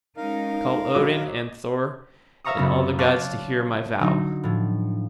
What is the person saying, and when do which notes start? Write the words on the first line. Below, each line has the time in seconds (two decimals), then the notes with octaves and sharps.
I call Odin and Thor and all the gods to hear my vow.
0.17 G#3 C#4 D#4 A#4 F5
0.95 A#1 F#3 D#5 D6
2.44 C#5 E5 F5 A#5 C#6 D#6
2.57 F#2 C#3 B3
2.99 C#5 D5 F5 A5 C6 F#6
4.00 D3 F#3 D#4
4.43 A2 F3